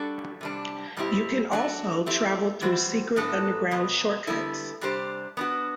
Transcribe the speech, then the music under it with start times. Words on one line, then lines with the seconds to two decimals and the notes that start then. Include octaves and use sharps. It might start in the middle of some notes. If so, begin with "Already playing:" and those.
You can also travel through secret underground shortcuts.
Already playing: G3 D4 F#4 A4 D5
0.41 C3 G3 D4
0.97 B2 G3 C4 E4 G4
1.51 F#3 A3 D4 F#4
2.06 A3 C4 E4 G4
2.61 E3 G3 C4 F#4 C5
3.16 A2 F#3 B3 D4 A4
3.71 B2 F#3 B3
4.27 D3 G3 B3 E4 A4
4.81 C3 G3 D4 G4 C5
5.37 B3 D4 F#4